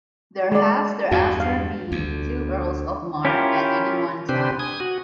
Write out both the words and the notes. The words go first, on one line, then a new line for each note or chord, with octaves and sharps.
There have thereafter been two earls of Mar at any one time.
G#3 D5
E2 G2 F#4 F5
F5
D2
C#4 E4 F4 G4 A#4
C3 C4 D4 G4 B4 C5
G#5 D#6
F#4